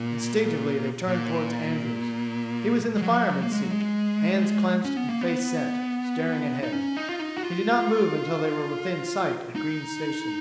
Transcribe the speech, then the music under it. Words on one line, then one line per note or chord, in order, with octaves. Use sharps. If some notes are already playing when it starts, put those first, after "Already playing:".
Instinctively they turned toward Andrews. He was in the fireman's seat, hands clenched and face set, staring ahead. He did not move until they were within sight of Green's Station.
Already playing: A#2
A#2
G#3
F#3
F3
F#3
A#3
G#3
F#3
G#3
C#4
B3
A#3
B3
D#4
C#4
D#4
F4
D#4
F#4
F4
D#4